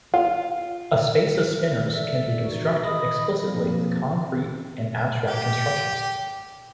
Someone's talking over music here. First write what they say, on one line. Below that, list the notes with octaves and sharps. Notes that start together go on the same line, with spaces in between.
A space of spinors can be constructed explicitly with concrete and abstract constructions.
F4
A4 D5 E5
E3 D#4 F#4
D#3 D#5 B5 D#6 A#6
B2 F3 A#3 C4
G4